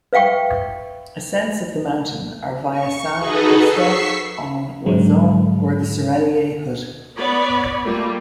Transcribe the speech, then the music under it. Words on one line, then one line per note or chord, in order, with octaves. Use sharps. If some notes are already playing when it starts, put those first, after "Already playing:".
Ascents of the mountain are via Saint-Christophe-en-Oisans or the Soreiller hut.
B4 E5 F5 G5 C#6
C#6
D#4 F#4 G#4 A4 B4 D#5
C#6 E6 B6 C7
G#2 D3 F#3 G#3
B3 C#5 D5 B5
G3 A3 A#3 F4